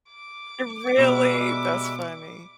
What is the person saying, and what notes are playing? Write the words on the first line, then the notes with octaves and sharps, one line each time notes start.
Really? That's funny.
D6
B2 G3 G#3 E5